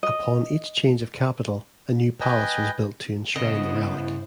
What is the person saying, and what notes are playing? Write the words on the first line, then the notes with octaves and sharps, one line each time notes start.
Upon each change of capital, a new palace was built to enshrine the relic.
D#5
B4 D#5 G5 G#5
G2 C#3 B3 E4 C5 D#5